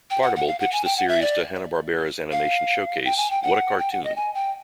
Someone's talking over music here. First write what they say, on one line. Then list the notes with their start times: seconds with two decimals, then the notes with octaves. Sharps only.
Partible pitched the series to Hanna-Barbera's animation showcase What a Cartoon!
0.11 G5
0.22 F#5
0.36 F#5
0.47 F5
0.59 F#5
0.73 G#5
0.85 G5
0.97 F#5
1.09 E5
1.22 D5
2.32 F5
3.05 G5
3.17 G#5
3.30 G5
3.43 F#5
3.79 G5
3.92 F#5
4.04 D#5
4.16 G#5
4.34 G5